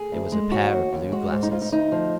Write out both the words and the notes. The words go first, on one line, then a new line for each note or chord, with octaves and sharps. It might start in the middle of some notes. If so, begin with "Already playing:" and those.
It was a pair of blue glasses!
Already playing: G#4
D2
G#3
D#2 F#4
D#2
D#2
G#3 F#4
G#2
D#4
G#2 F4
D#4
D2 D#4
F3